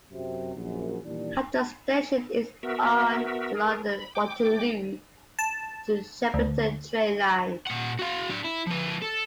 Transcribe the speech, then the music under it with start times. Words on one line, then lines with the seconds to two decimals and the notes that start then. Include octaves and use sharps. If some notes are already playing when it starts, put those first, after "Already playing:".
Hampton Station is on the London Waterloo to Shepperton train line.
0.11 F#2 C3
0.54 A#1 F#2
1.04 D#2 A#2 E3 G3 D4
2.63 B3 F#4 A#4 E5
3.54 G#4 A#4
3.90 B5
4.15 G5 D6
5.39 A5
6.34 D2
7.67 A#2 F#5
7.99 F#4 F5
8.30 D4 F5
8.45 E4
8.67 F3 B4
9.02 A4